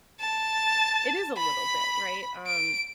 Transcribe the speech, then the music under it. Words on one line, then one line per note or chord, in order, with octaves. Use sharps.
it is a little bit, right? Um,
A5
B5
D7